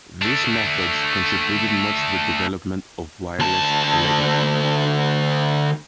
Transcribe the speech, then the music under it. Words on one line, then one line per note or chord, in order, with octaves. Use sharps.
These methods contributed much to the development of wireless telegraphy.
A3 D4
D2 A5